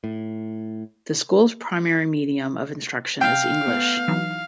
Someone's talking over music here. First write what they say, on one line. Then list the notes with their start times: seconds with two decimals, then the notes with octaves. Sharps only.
The school's primary medium of instruction is English.
0.04 A2
3.21 C3 E5 F5 G5
3.67 A3 B3
4.08 E3 F#3 D#4